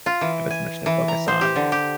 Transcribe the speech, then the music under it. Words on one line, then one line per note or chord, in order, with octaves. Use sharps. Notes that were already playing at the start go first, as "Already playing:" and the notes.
have as much to focus on.
F4
E3
G#5
E3
A#5
C5
G4
D3
G4